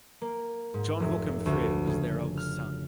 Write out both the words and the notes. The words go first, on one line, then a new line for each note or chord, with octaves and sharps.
John Hookham Frere was their eldest son.
A#3
G#2
F1
D2
C#3
F6